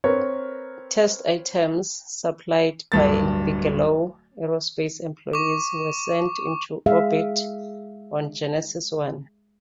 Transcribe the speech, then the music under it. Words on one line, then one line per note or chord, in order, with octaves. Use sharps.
Test items, supplied by Bigelow Aerospace employees, were sent into orbit on Genesis One.
C4 A#4 B4 C#5
D1 G2 A#3 A6
C#6 D6
G#3 G#4 E5 F5